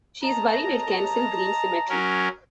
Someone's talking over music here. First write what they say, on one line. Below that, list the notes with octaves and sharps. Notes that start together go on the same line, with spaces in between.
She is buried at Kensal Green Cemetery.
D#5 A5 A#5
F#3 C#4 A#4